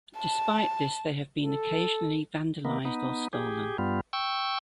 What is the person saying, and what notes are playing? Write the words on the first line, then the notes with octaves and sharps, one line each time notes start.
Despite this they have been occasionally vandalised or stolen.
A5
A4
D#3 A#3 B3
B3 D#4
G4 G#4
G2 G3 B3 F4
G5 C#6 E6